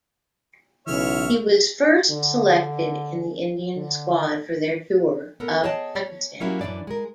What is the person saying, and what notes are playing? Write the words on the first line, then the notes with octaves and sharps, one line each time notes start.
He was first selected in the Indian squad for their tour of Pakistan.
B1 C#3 E3 C#5 E5 F6
D3
D3
B3 A4 A#4
G#4 C#5 D#5 G5 A5
C#5
F#3 G3 A#3 C#4 E4 F#4
F#2 A#2 E3 D4 D5
G#3 A#4